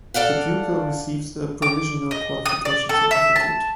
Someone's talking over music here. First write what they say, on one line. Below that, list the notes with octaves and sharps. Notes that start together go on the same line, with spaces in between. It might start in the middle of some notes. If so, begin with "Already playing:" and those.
The pupil receives a Provisional Qualification Certificate.
A4 D5 F5 F#5
D6
D#5
D#6
D5
A4
E5
A5